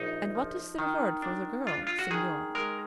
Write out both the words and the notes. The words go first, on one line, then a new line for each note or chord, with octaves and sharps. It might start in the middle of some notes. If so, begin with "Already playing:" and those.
"And what is the reward for the girl, senor?"
Already playing: A#1 D#4
F3
D#3
D4
D4 F4
F4
F#4
D#3 G#4
G#3 A#4